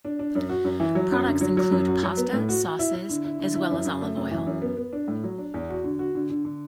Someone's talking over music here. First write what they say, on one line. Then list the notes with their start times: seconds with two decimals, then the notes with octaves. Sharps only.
Products include pasta, sauces, as well as olive oil.
0.05 D4
0.19 D4
0.35 F#2
0.49 F#4
0.64 F#2
0.80 E3
0.95 F#3
1.11 F#2
1.26 D3
1.41 F#3
1.57 F#3
1.71 F#2
1.88 F#4
2.03 F#3
2.17 B3
2.33 A2
2.49 F#4
2.63 F#4
2.79 E4
2.94 E4
3.09 D3
3.25 E4
3.39 D3
3.55 E4
3.70 F#2
3.85 F#2
4.01 A3
4.17 F#2
4.31 E3
4.47 F#2
4.62 B3
4.77 B3
4.93 D4
5.08 A2
5.24 F#3
5.38 D4
5.54 E2
5.69 F#4
5.84 D3
5.99 F#4
6.15 D3
6.30 D3
6.45 D3